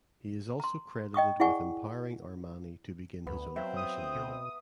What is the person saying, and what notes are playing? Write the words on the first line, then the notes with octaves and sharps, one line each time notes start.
He is also credited with empowering Armani to begin his own fashion label.
A#5 C6
D#5 G5 C#6 D#6
E4 G#4 D5 F#5 G#5 C#6
D2 B3
F#3 C4 E5 F5
D#6
B2